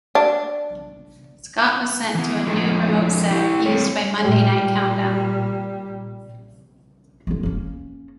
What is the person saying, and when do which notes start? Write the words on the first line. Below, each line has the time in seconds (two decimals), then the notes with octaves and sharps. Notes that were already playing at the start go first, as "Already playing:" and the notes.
Scott was sent to a new remote set used by "Monday Night Countdown".
0.15 D4
2.15 E3 B3
2.47 F3 G#3 D4 A4 D#5
3.31 E4 G4
3.66 G3 C4 C#5
4.22 A#2 G3
7.27 G#3 A#3
7.43 A#3 C#4